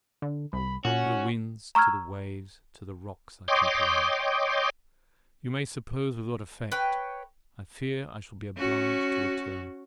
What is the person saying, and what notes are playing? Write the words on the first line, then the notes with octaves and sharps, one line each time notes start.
"To the winds, to the waves, to the rocks I complain"--you may suppose with what effect! I fear I shall be obliged to return.
D3
C2 B5
A#2 C#4 F#4
A#5 C#6 E6 F6 G#6
C#5 D#5 G5 C6 D6
B4 C#5 G5
C#4 F#4